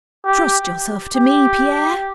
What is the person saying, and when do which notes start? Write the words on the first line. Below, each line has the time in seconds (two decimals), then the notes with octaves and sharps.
Trust yourself to me, Pierre.
0.25 G4
1.16 G4